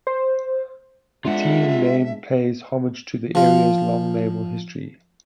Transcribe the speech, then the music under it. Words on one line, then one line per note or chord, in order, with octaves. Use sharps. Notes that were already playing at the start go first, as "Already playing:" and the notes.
The team name pays homage to the area's long naval history.
C5
G#3 B3 D4 F4 E5 F#5
F3 F4